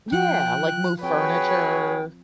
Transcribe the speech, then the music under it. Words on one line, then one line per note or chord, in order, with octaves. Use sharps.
Yeah, like move furniture,
F3 F4 G5 F#6
C4 F#4 G#4 B4 C#5 G5